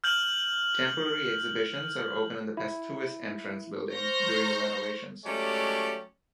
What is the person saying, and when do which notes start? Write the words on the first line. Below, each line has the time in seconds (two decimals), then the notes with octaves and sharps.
Temporary exhibitions are open in the "pesthuis" entrance building during the renovations.
0.04 F6 G6 F#7
2.57 E4
3.94 C5 A#5 C#6 F6 G6 A#6
5.25 F#3 G#3 A3 C#4 G4 D5